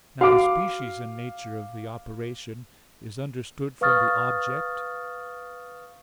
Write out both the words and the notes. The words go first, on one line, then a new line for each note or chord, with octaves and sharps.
Now the species and nature of the operation is understood from the object.
F#4 F5 D6
B4 F5 C#6 D#6 F6 A6